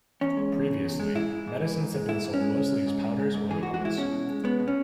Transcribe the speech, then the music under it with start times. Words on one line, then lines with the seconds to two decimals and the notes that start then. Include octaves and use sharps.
Previously, medicines had been sold mostly as powders or liquids.
0.21 E2 C#4
0.37 G#3
0.52 E2
0.68 C#3
0.84 E2
1.00 G#3
1.15 G#2 E4
1.31 G#3
1.47 G#2
1.62 E3
1.79 G#2
1.94 G#3
2.09 G#2 E4
2.24 G#2
2.33 C#4
2.40 G#3
2.57 G#3
2.73 G#2
2.87 G#2
3.04 G#2
3.20 G#3
3.34 G#2
3.51 E3 G#4
3.63 F#4
3.66 G#2
3.74 F#4
3.81 G#3 E4
3.97 B2 C#4
4.13 B2
4.29 G#3
4.44 G#3 B3
4.60 B2
4.68 C#4